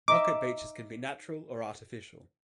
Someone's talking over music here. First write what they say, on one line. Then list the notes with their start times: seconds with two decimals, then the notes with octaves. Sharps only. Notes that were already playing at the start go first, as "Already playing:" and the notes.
Pocket beaches can be natural or artificial.
0.08 D#4 D#5 E5 D6